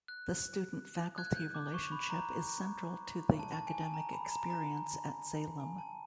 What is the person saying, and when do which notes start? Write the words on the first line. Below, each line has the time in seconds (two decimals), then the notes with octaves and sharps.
The student-faculty relationship is central to the academic experience at Salem.
0.08 F#6
1.18 F#6 G#6
1.36 G6
1.55 D6
1.74 C#6
1.92 B5
2.10 A#5
3.39 A5
3.52 A5
3.67 G#5
3.81 A5
3.94 A#5
4.13 B5
4.31 A#5
4.50 A#5
5.60 G#5
5.78 A5